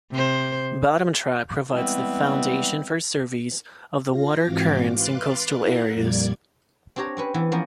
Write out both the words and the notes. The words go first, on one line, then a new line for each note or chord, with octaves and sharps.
Bottom track provides the foundation for surveys of the water currents in coastal areas.
C3 C5
E3 G3 G#3 B3 C4
F4 A#6
G#2 E3 C4 F#4 F5 D6
B4 F5 C6 D6 F#6 A6
E4 A#4 F5 F#5
F2 A#2 G3 A#3 D5 G#6
C4 D4 G4 C#5 A#5
C4 C#4 B4
E3 B3
F3 A#3 B3 C#4